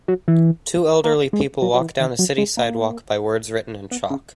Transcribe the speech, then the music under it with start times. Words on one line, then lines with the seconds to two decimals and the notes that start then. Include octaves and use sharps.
Two elderly people walk down a city sidewalk by words written in chalk.
0.08 F#3
0.28 E3
1.04 A#3
1.33 G#3
1.62 F#3
1.74 F#3
1.80 E3
2.00 D#3
2.19 F#3
2.38 G#3
2.57 A#3
3.91 B3
4.10 C#3